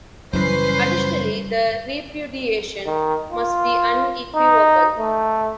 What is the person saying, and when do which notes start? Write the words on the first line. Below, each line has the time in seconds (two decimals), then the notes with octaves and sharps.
Additionally, the repudiation must be unequivocal.
0.33 F#2 C#3 E3 G3 C#4 B4 C5 C7
2.86 D#3
3.32 F4
4.35 D#4
4.99 A3